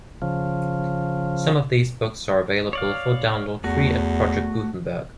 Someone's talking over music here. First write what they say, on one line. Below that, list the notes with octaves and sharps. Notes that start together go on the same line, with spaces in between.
Some of these books are available for download free at Project Gutenberg.
C#3 F3
C#5 D5 F5
E2 A3 F#4